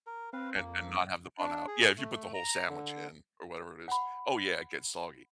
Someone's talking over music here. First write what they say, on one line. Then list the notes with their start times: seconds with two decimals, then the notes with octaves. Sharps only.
and and not have the bun out yeah, if you put the whole sandwich in or whatever it is oh, yeah, it gets soggy,
0.07 A#4
0.33 C4 B4 F5
0.56 F2 A#3
1.39 D4
1.67 G#4
1.98 A3
2.34 A#5
2.68 D3
3.88 F#5 B5